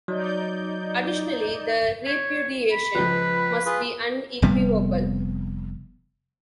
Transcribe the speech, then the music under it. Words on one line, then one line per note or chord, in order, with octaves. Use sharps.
Additionally, the repudiation must be unequivocal.
F#3 D#4 D5 G6
C#5 B6
B5
C#2 F3 B4
F4 G#4 B4
F1 C3 G3 B3